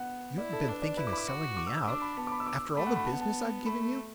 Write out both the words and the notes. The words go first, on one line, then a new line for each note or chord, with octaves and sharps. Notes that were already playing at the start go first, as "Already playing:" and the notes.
'You haven't been thinking of selling me out--after all the business I've given you?'
Already playing: B3 F#5
E4 D5
A4
D4 B4
D5
E4 B4
D6
B5
D6
F#4
D6
E6
E6
D4 D6
B5
B3 A5
D6
B5
E6
D6
E6
D6
A3 B5
F#5
B5
B3 A5
F#5
A5
A3 B5